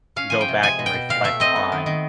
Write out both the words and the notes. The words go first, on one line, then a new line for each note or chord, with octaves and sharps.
go back and reflect on,
C#4 F5
F3 G#5
G5
C3
G#3 G#5
B2
G5
B2
A#2 F5
A3 E5
C4 D#5
B3
D#3
D#3